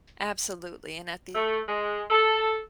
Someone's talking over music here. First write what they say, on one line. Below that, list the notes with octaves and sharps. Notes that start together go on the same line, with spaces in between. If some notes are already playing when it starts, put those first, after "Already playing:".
Absolutely, and at the
A3
G#3
A4